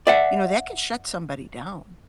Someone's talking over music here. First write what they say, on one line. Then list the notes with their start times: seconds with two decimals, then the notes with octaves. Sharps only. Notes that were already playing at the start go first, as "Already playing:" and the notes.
You know, that can shut somebody down.
0.07 D5 E5 F#5